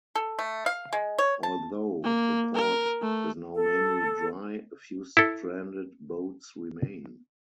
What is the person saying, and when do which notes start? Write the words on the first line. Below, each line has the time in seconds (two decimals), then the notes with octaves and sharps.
Although the port is now mainly dry, a few stranded boats remain.
0.15 A4
0.39 A3
0.66 F5
0.93 G#3
1.18 C#5
1.43 A5
2.04 A#3
2.55 A#4
3.02 A3
3.54 A4
5.17 E4 A4